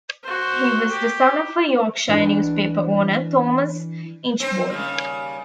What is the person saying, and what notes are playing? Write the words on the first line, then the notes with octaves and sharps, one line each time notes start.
He was the son of a Yorkshire newspaper owner, Thomas Inchbold.
F#4 C5
G4
E3 D4
C4 C5
D#2 C#3 G3